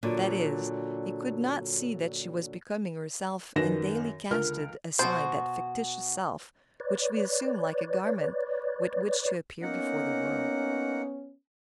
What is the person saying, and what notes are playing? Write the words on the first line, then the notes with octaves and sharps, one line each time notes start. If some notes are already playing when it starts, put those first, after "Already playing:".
That is, he could not see that she was becoming herself and daily casting aside that fictitious self which we assume like a garment with which to appear before the world.
A#2 D3 F#3
F#2 D#3 B4 A#6 E7
C#2 D3 A#4 F6
B2 F#4 C5
B4 C#5 D5
A#3 B3 C#4 D#4 F#5